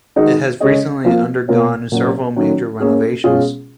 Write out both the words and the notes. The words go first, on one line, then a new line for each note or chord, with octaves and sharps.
It has recently undergone several major renovations.
D#3 G#3 D#4 F#4
C#3 G#3 C#4 G#4 D#5
F3 A#3 F4
B2 A#3 F4 A#4 C#5
A#2 F#3 C#4
D#3 F#3 C#4 F#4
A#3 C#4 G#4
B2 G#3 C#4 F4 G#4